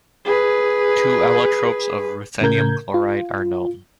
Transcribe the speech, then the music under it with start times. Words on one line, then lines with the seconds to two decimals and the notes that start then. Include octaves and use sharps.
Two allotropes of RuCl are known.
0.25 G#4 B4
2.41 A2 C#3 A#4 G6 G#6
2.94 F4